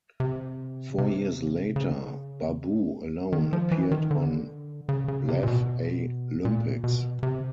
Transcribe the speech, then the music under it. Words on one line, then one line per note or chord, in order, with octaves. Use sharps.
Four years later, Babu alone appeared on Laff-A-Lympics.
C3
C3
C#3
D#3
F3
E3
D#3
D3
C#3
C#3
C3
A#2
B2
A#2
B2
C3